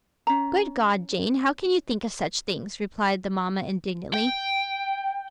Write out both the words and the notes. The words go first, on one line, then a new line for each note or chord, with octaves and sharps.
'Good God, Jane, how can you think of such things?' replied the mamma indignantly.
C#4 A#5
G5